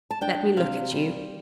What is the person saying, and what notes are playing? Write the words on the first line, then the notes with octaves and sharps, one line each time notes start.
Let me look at you.
A5
D4 G5
C3 F5
G3